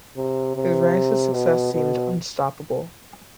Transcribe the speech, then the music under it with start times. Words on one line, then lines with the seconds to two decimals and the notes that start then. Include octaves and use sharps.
His rise to success seemed unstoppable.
0.16 C3
0.56 C3
1.33 B2
1.73 B2